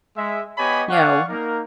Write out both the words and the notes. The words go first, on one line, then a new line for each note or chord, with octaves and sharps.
you know,
G#3 E5
B3 G4 C#5 D#5 G#5 B5
D5 F5 F#5 G#5 C#6
A#3 D#4 A#4